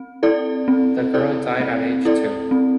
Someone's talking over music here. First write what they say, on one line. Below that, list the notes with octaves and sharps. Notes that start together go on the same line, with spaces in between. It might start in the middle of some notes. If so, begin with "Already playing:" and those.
The girl died at age two.
Already playing: C4
E4 A4 D5
C4
E4 A4 D5
C4
E4 A4 D5
C4